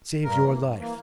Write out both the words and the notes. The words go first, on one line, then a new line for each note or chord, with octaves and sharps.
Save your life!
G2 A#4
E3
A#3
G2
E3 A#3